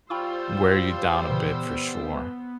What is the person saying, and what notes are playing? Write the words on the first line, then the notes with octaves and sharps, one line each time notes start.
wear you down a bit for sure.
G3 F4 C5 G5 B5 C#6 E6
A#2 C#3 E3 B3